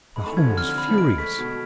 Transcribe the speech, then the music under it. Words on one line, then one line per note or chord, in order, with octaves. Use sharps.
Pahom was furious.
G#3 B5
A3
E3
F3 G#6
D3
C3 F6
D3
B5
F3
G#3 D7
A3 B6
B2 G#6